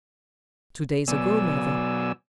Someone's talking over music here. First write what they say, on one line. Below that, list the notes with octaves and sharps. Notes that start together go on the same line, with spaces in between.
"Two days ago, mother."
B2 F#3 B3 D5 G#5 E6